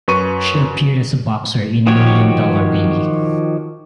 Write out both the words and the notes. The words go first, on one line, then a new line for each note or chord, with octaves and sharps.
She appeared as a boxer in "Million Dollar Baby".
F#2 B4 C#6 D#7
D#3 F3 F#4 G4 C#5